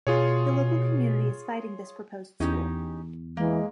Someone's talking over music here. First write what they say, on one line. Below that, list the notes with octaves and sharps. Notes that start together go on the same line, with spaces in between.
The local community is fighting this proposed school.
B2 F4 G#4 C#5
E2 C#4 D#4 G4
E3 G#3 A#3